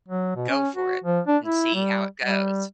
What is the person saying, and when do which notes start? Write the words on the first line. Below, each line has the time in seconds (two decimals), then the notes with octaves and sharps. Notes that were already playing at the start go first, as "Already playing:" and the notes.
go for it and see how it goes
0.08 F#3
0.36 B2
0.49 C#4
0.76 F#4
1.04 F3
1.27 D4
1.44 E4
1.74 G3
2.24 G3